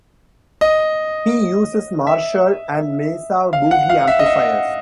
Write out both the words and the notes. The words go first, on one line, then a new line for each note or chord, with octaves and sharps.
He uses Marshall and Mesa Boogie amplifiers.
D#5
E5
F5
F#5
F5
E5
D#5
E5